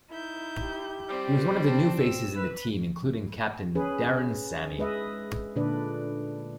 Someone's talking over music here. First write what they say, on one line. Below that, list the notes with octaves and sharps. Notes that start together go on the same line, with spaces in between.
He was one of the new faces in the team including captain Darren Sammy.
D#4 E4 G6
G4
G3 C4
D4
E6
B4
C#4 G#4 B4
G#3 B4 D#5 E5
A#2 D3 D4 B4 D5